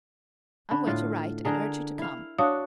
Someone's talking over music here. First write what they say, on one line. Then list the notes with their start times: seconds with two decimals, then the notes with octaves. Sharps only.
I'm going to write and urge her to come.
0.71 D3 B5
0.87 A2 F4
1.45 D3 G#4 A#4
1.99 E4 F5
2.38 D4 F#4 C#5 F5 D#6